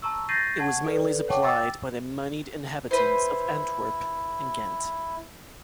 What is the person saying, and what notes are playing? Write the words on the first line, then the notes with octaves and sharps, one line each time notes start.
It was mainly supplied by the moneyed inhabitants of Antwerp and Ghent.
A5 A#5 C#6 E6
C#6 G6 A6 A#6 C7 D#7
F#5 A5 C#6 G#6
A4 B4 D5
C#5 F#5 G5 A5 C#6 D6
G5 D6 E6 A6
E4 B4 C5